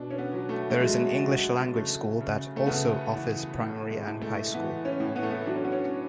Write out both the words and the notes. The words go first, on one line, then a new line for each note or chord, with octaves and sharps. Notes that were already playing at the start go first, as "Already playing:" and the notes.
There is an English language school that also offers primary and high school.
Already playing: B2 D4
C#4
B3
F#3
A3
A3
F#3 G#3
F#3
C#3 A3
C#3
A3
C#3 B3
E3
A2 A3
G#3
A2
A3
E3 B3
C#4
A2
B3
A3
B3
F#3 D4
C#4
B3
C#4